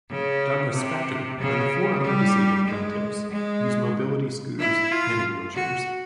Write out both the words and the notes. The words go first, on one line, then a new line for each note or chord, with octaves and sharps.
Douglas Spector and the four other disabled plaintiffs use mobility scooters and wheelchairs.
C#3
C3
C#3
G3
G#3
G#3
E4
F4
F#4